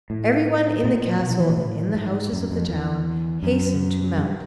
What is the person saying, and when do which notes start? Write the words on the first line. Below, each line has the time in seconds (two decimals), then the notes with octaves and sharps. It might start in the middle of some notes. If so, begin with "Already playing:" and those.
Every one in the castle and in the houses of the town hastened to mount.
0.10 A2
0.84 A#2
1.21 B2
1.30 F3
1.40 E3
1.49 A#2
1.57 A2
1.95 G#2
2.33 F#2
2.51 F2
2.69 E2
3.43 F#2
4.18 G2